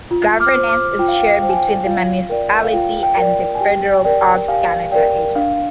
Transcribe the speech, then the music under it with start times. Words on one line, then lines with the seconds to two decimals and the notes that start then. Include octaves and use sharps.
Governance is shared between the municipality and the federal Parks Canada agency.
0.11 F4
0.40 D6 F6
0.55 C5
0.69 D6 F6
0.99 F4 G5
1.08 F5
1.16 G5
1.42 C5 G5
1.50 G#5
1.57 G5
1.86 F4 F5
2.29 A#4 D5 G5
2.64 F5
2.73 F4 G5
3.03 G5
3.17 A#4 D5
3.55 G#5
3.61 G4 G5
4.05 A#4 D5 G5
4.48 G4 F5 G#5
4.92 A#4 D5 G5
5.36 D4 F5